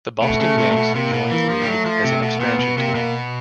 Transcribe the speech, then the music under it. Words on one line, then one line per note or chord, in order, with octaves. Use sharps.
The Boston Yanks joined the league as an expansion team.
B2 A3
C#3
C3
A#2
B2
C3 A#3
B2
E3
F3
G3
F#3 A3
F3
C3
B2
A#2 B3
B2
C3 A#3
B2